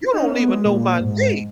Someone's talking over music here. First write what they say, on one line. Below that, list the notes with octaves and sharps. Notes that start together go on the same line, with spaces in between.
You don't even know my name."
D#4
C#4
B3
G#3
A#2
G#2